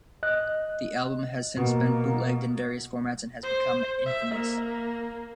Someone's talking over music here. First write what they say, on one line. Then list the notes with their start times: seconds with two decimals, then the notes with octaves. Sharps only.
The album has since been bootlegged in various formats and has become infamous.
0.23 D#5 F#6
1.57 B2 A#3
3.43 C5
4.06 E5
4.35 A#3